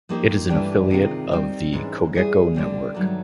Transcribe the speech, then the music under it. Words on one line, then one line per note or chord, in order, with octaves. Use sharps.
It is an affiliate of the Cogeco network.
F3 A#3 D#4 G4 C5
G2 E3 A3 D4 G4
C3 D#3 G#3 C4 F4
D#3 G3 C4
G#2 E3 G#3 C#4
E3 G3 B3 E4 G#4
D3 G3 C4
G2 D#3 F#3 A3